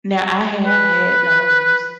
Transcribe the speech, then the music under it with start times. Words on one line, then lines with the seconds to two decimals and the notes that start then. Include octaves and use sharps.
Now I have had those.
0.67 B4